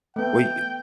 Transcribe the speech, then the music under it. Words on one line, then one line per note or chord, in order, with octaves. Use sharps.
wait it
A3 B3 G5